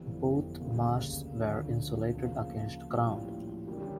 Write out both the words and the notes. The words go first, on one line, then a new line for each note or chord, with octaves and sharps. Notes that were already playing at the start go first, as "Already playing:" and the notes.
Both masts were insulated against ground.
Already playing: G1 F2 E3 G3
D2 C#3 G3 A#3
D2 D3 F3 C#4
C#3 F3 A#3
A#1 A2 G3 C#4 F4
D3 G3 C#4 G4 A#4